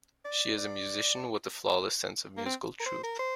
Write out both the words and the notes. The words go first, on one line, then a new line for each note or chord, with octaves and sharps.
She is a musician with a flawless sense of musical truth.
D5
D5
A#3
C4
A#4
C5
A#4
C5